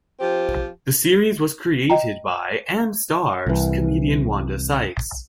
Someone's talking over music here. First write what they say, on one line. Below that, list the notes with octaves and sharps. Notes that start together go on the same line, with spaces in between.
The series was created by and stars comedian Wanda Sykes.
F3 C4 G4
D#5 G5 A#5
C2 E3